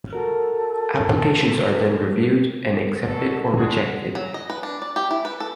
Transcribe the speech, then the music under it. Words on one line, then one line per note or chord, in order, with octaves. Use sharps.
Applications are then reviewed and accepted or rejected.
F#4 A4 A#4
B2 D3 F#3 A4
G#3 D4 F#4 G#4
F#3
D#5
B4
D4
D5
G4
E4
B4
A4